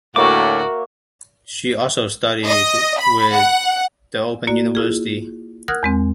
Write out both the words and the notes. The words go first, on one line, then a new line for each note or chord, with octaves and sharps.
She also studied with the Open University.
D2 A2 A#3 F#4 C#5 E5 D6
D#5
B5
F#5
A#3 F#4 D5
E4 F4 G#4
A#4 F#5 D#6 F6 F#6 G#6
E2 G#3 C4